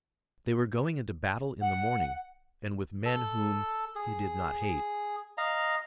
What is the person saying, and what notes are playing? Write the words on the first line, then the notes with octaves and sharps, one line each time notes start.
They were going into battle in the morning--and with men whom he did not hate.
F#5
A4
G#4
D#5 F5 A#5